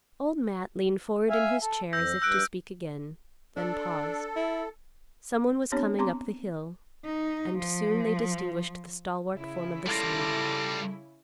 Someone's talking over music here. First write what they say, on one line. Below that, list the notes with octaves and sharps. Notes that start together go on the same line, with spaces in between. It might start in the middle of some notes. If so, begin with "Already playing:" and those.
Old Matt leaned forward in his chair as if to speak again; then paused; someone was coming up the hill; and soon they distinguished the stalwart form of the son.
E5 F5 G#5
A4
F2 E6 G6 A#6
G2 E6 F#6 D7
D4 A4
E4
B3 C4 D4 G4 C#5
B3 C4 A#5 C6 D6
D#4
F3
C#3 E4
G3 F4 A4 D6 A#6